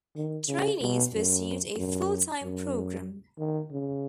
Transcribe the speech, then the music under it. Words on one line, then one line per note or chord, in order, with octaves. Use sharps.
Trainees pursued a full-time programme.
D#3
C#3
B2
F#2
F#2
F#2
D#3
C#3